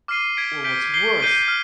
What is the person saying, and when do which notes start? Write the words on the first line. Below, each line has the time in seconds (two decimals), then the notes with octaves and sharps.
or what's worse,
0.08 D6 F6 C7 D#7 G7
0.37 G#6 B6 D7
0.64 G6 B6 D7 G7
0.93 G6 C7 G7
1.20 G6 C7 D#7 G7
1.48 F6